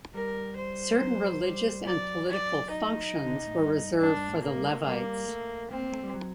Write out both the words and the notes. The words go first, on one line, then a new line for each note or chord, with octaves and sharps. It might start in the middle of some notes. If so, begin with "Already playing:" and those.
Certain religious and political functions were reserved for the Levites.
G3 A#4
C5
F#3
G3
F#3 D5
D5
D#4
D3
C3
A2
G2
G2 D4
G2
A2
A2 A#3
G3
A3
G3 A#3
A3
A#3 C4
A#3
A3
G3
F#3